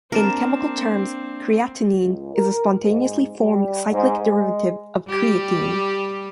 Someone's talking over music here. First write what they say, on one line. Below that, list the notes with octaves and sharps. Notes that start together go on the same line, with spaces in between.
In chemical terms, creatinine is a spontaneously formed cyclic derivative of creatine.
A#3 C4 D4 A#4 A5
C#2
A#4
G#2
G3
G#2
G#3
G3 G4